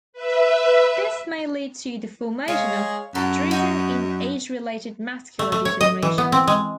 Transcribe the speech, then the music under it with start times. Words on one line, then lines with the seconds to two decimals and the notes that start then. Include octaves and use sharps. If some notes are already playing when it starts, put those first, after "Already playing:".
This may lead to the formation of drusen in age-related macular degeneration.
0.13 B4 E5
2.48 G#3 C#5 F5
3.15 F#2 F#3 A4
3.51 D#4 F#4
5.39 A3
5.52 A3
5.65 C#5
5.81 D#5
6.02 E3
6.18 B3
6.32 C4
6.47 G#3